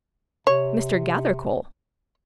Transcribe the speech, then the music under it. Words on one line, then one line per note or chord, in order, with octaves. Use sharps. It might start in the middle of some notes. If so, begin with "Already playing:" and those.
"Mr. Gathercole!"
C3 C#5